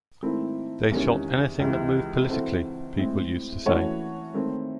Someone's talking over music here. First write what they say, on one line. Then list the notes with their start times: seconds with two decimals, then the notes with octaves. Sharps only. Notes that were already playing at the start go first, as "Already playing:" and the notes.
"They shot anything that moved politically," people used to say.
0.23 G#2 D#3 A3 C4 E4
0.92 E2 C3 D#3 G#3 C#4
1.59 C#2 C3 E3 G#3
2.29 E3 C4 F#4 A4 C5
2.97 A2 G#3 C4
3.66 E3 A3 C#4 F#4 C#5
4.34 D#3 A3 C4